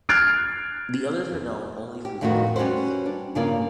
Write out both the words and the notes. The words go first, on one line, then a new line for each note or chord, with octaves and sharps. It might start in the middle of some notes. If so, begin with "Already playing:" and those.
The others are known only through photographs.
F6 F#6 G#6 A6 C7 D7
G4
F2 A2 D#3 A3 B3 F#4
G3 C#4 F#4 B4 C5
D4
G2 C#3 G3 A#3 F4 D5